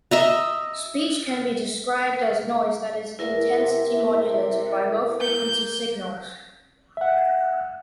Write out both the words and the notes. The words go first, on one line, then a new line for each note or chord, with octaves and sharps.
Speech can be described as noise that is intensity-modulated by low-frequency signals.
D#5 E5 A#5
E2 E4 A#4 E5
C3
A#3 G6
E5 F#5